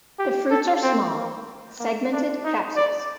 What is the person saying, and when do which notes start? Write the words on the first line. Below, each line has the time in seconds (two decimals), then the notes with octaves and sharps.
The fruits are small, segmented capsules.
0.19 G4
0.51 A4
0.83 C4
1.15 A#3
1.80 A#3
2.12 D4
2.44 D#4
2.76 D5